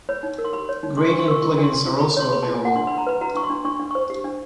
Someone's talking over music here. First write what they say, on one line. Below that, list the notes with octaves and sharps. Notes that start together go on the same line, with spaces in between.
Gradient plug-ins are also available.
C#5 B5
D#4
A#4
C6
G4 B5
C#5
D#4
D4 C6
D4 C#6
C6
A#4 C#6
F4 C6
C#6
D4
C6
D4
F4
B5
F4
B5
C#5 C6
G#4 B5
F4 A5
G#5
F4 F#5
D4 C6
D4 B5
A#5
B4 B5
F#4 A#5
D4 C#6
C6
D4
D4 C#6
D4
C5 C#6
G4
D4